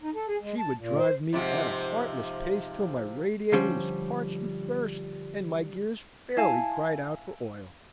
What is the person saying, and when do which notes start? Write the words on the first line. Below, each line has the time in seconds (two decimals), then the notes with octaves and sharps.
She would drive me at a heartless pace till my radiator was parched with thirst and my gears fairly cried out for oil.
0.02 D#4
0.15 A4
0.28 G#4
0.42 G#3
0.59 A5
0.78 A#2
0.99 C5
1.33 G#2 C3 F3
3.52 D3 F3 G3 C#4 C5
6.37 E4 F5 G#5 A5